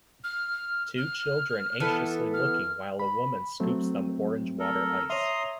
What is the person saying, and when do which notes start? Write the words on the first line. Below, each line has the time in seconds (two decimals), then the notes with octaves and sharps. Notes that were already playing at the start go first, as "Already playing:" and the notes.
Two children anxiously looking while a woman scoops them orange water ice.
0.24 F6
0.98 F6
1.80 E3 B3 A4
2.34 F6
3.00 B5
3.60 F#3 A3 C4
4.59 A4 A#4
5.10 C#5 E5 A#5 C6 D#6